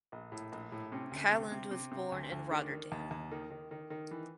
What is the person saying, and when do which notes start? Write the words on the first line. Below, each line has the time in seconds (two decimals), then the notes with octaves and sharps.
Caland was born in Rotterdam.
0.12 A#1
0.32 A2
0.52 A#1
0.72 A2
0.92 C3 C#4
1.12 D2
1.32 C3
1.52 C3
1.71 C3
1.92 C3
2.12 D2
2.32 D2
2.51 D#3 D4
2.71 D#3
2.92 D#2
3.11 D#2
3.31 D#3
3.51 D#3
3.71 D#3
3.90 D#3
4.11 E3